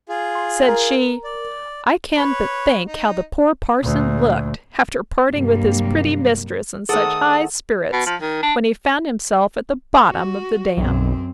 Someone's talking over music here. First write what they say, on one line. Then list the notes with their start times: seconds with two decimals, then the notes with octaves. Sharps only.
Said she, I can but think how the poor parson looked, after parting with his pretty mistress in such high spirits, when he found himself at the bottom of the dam!
0.09 F4 G#4
0.35 C6
0.69 A#4
1.24 D5
2.17 B4 C#5
2.87 D#4
3.81 D2 A#2
5.33 G2 C3 F#3 G3 A#3
6.89 D#3 A3 G#4 A4 C5 F#5 D#6
7.93 B2
8.07 F3
8.21 D#3
8.43 D4
10.09 F#4
10.77 B1 F#2 C4